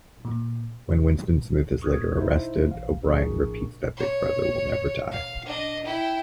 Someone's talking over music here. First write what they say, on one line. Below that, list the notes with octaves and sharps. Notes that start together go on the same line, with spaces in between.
When Winston Smith is later arrested, O'Brien repeats that Big Brother will never die.
A#2
C#6 D#6 F6 F#6 G#6
D#4 E4 C5 E5
A1 F5
A#1 A2 D4 G#4 A#4 C#6
C#5
F5
D4 D#5
E4 G5